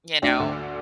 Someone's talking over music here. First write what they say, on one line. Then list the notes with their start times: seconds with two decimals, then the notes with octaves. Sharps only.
you know,
0.22 D2 D4
0.40 D3